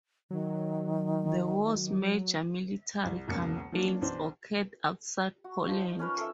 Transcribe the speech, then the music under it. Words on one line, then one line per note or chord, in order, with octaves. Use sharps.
The war's major military campaigns occurred outside Poland.
D#3 F#3
C2
E1 B1 C#3 A#3 C#7
F3 A#3 C#4 D4
B1 E3 D4 C5
F#4
F3 D#4 C5
C#4 A#4 B4 C#5
A4 E5